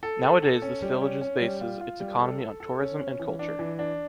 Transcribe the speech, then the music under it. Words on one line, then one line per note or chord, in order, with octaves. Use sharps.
Nowadays this villages bases its economy on tourism and culture.
A4
A4
A4
C#4
G3
C#4
C#4
G3
F4
F4
G3
A4
A4
A4
C#4
C#4
E3
D4
E3
D4